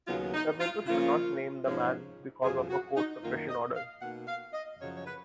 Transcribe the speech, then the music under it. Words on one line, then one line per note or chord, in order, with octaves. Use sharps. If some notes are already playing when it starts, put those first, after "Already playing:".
The papers could not name the man because of a court suppression-order.
D#2 C#3 F#3 B3 D#4 F4
D#4
F4
C#3 F3 A#3 C#4 F4
G#2 F3 G#3 C#4
F2 C#3 F#3 G#4
F#4
D#4
F#2 D#3 A#3 F4
D#5
F5
B2 A#3 D#4 F#5
F5
D#5
F#2 C#3 F3 C#5
C#5
B4